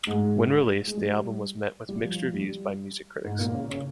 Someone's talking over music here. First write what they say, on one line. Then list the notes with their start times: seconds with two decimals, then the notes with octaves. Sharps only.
When released, the album was met with mixed reviews by music critics.
0.07 G#2 G#3
0.87 G#3
0.97 G3
1.89 G3
2.00 F3
2.11 F3
2.22 G3
2.33 G3
3.24 G#2 G#3
3.39 A#2 A#3
3.54 C#3 C#4
3.70 C#3 C#4